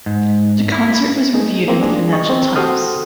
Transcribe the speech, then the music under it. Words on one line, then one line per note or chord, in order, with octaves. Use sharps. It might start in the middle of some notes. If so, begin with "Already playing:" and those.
The concert was reviewed in the Financial Times.
G#2
E4
A3 D#4 G#4
A#3 C4
D4 G#4
D#5 C#6
C4
F#4 G4 A4 C5 D#6 F6